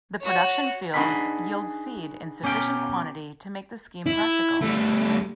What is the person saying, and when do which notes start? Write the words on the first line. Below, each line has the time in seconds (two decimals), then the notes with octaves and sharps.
The production fields yield seed in sufficient quantity to make the scheme practical.
0.21 F#4 C#5
0.94 D4 D#4 F#4 G#4 B4 B5
2.43 B2 C#4 G4 A#4 G5
4.06 E4
4.62 G3 A3